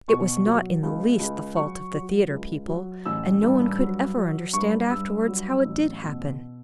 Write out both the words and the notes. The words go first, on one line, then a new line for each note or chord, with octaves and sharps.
It was not in the least the fault of the theatre people, and no one could ever understand afterwards how it did happen.
B2 C#6
F#3
C#2
C#2
F#3 C#6
F#3
C#2
F#3
A1 E6
G2
F#3
F#3
G2 C#6
G2 E6
F#3
A1
B2